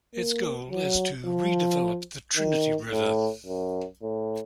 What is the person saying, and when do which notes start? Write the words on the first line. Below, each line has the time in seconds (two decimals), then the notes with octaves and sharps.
Its goal is to redevelop the Trinity River.
0.14 A#3
0.70 F#3
1.25 F3
2.37 D#3
2.91 A2
3.46 F#2
4.02 A2